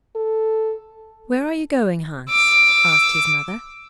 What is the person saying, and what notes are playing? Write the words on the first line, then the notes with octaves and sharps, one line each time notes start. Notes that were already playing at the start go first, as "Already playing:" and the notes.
'Where are you going, Hans?' asked his Mother.
A4
D6 E6